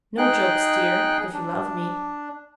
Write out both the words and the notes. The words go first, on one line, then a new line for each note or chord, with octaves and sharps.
No jokes, dear, if you love me.'
D#4 G#4 G5 F#6
D4